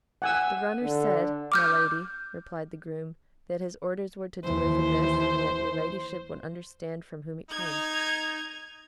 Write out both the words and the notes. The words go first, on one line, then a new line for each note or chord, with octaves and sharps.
"The runner said, my lady," replied the groom, "that his orders were to deliver this, and that your ladyship would understand from whom it came."
F#5 G#5 E6
D3
D6 F6 G6
D#2 E3 C5
D#4 G#6 F7